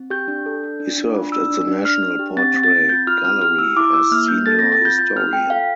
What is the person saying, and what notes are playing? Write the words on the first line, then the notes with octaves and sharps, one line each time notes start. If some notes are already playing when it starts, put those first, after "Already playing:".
He served at the National Portrait Gallery as senior historian.
Already playing: C4
G4 G6
D4
A4
D4
D4
D4
F4
D4 E6
D4
D4
D4 F6
D4
G4
C4 A6
C4
A6
C4
F4 G6
F4 F6
C4 F6
G4 F6
E4 E6
E4 D6
E4 E6
A#3 F6
A#3 G6
A4 A6
C4 A#6
A6
F4 G6
F4 G6
C4 F6
F4 G5
A4 F5